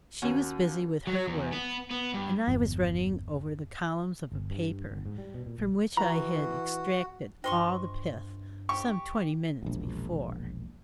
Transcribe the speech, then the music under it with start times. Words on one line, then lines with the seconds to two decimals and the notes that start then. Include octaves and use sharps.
She was busy with her work, and I was running over the columns of a paper from which I had extracted all the pith some twenty minutes before.
0.22 D#2 C#4 D#4 F#4 C#5 F#5
1.07 F#3
1.27 E2
1.52 B3
1.91 B3
2.14 G2
2.48 G1 E2
4.32 G1
4.50 G2
4.91 G1
5.06 G#2
5.18 G3
5.34 B2
5.46 A#2
5.58 A#1
5.97 E3 F#4 A#5
7.44 G2 F4 C5 D#5 G5 C6 C#6
8.69 G4 C#6
9.63 E1 A#1